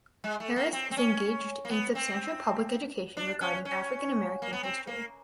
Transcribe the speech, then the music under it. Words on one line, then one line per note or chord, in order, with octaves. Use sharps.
Harris has engaged in substantial public education regarding African American history.
G#3
A3
A#3
C4
C4
C#4
A#3
B3
C4
D4
C#4
C#4
A#3
B3
C4
A#3